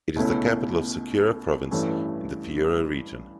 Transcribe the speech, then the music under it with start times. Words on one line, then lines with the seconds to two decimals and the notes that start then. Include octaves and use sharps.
It is the capital of Sechura Province in the Piura Region.
0.16 C#2 B2 A3 C#4 E4
1.71 A1 G2 E3 A3 C#4